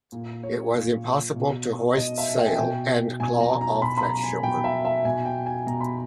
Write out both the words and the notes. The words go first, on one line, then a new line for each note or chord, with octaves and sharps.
It was impossible to hoist sail and claw off that shore.
A#2
C#5
A#2
B2
B2 D#5
E5
G5
G#5
B2 G5
B2 G#5
A#5
A#5
B2 B5
B5
A#5
G#5
B2 G5
E5
E5
B2 G#5
G5
G#5
B2 A#5
B5